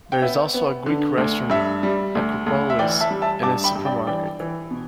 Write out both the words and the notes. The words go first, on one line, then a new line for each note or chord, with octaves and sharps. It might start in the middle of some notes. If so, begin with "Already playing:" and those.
There is also a Greek restaurant "Akropolis" and a supermarket.
G5
B3 E5
B3
D3
D2
G2 E5
G3
D2
D2
E5
E3 D5 G5
E5 A5
G3
E5 A5
G2 A5 D6
G5 B5
G2
D5 G5
E3 D5 G5
E3
B2